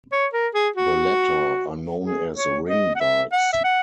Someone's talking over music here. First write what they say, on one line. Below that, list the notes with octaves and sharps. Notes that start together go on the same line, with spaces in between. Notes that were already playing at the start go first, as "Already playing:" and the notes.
The latter are known as ring dikes.
C#5
A#4
G#4
F#4
G#4
C#5
D#5
F#5
E5
F#5
E5
F#5